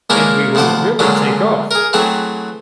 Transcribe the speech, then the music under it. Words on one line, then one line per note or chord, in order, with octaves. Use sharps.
And we will really take off.
G#3 A#3 C#4 D4 E4 A#4
A1 D2 F3 C5 F#5 D6
A#2 D3 F#3 G#3 C#4
G#4 A#4
E3 F#3 A3 C4 G#4